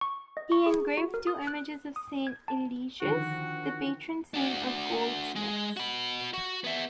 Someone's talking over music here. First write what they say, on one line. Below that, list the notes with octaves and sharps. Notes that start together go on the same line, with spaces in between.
He engraved two images of Saint Eligius, the patron-saint of goldsmiths.
C#6
D#5
C#6
G#4
F#4
A#4
D#6
F#6
D#6
G#6
A5
D3 D#3 F3 F#4
D4 F#4
G#3
F#4 B5
F#4
B3 E5